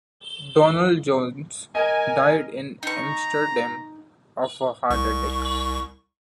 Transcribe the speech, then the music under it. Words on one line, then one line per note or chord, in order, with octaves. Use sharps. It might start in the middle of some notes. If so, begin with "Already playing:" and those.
Donald Jones died in Amsterdam of a heart attack.
A#4 D#5 G#5
D#4 A#5 C#6
C2 C#6